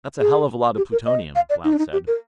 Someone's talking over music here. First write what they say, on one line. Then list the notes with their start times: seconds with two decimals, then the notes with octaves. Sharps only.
"That's a hell of a lot of plutonium," Blount said.
0.20 G#4
0.77 G4
0.92 A#4
1.06 D#5
1.35 F5
1.50 D5
1.64 D#4
1.73 D4
1.78 D#4
1.93 G4
2.07 A#4